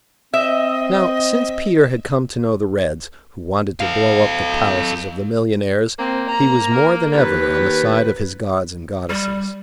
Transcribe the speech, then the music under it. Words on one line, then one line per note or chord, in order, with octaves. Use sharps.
Now since Peter had come to know the Reds, who wanted to blow up the palaces of the millionaires, he was more than ever on the side of his gods and goddesses.
C4 D#5 E5
A4 F5
A#3 C4
A#5
A#4
D#2 B4
G3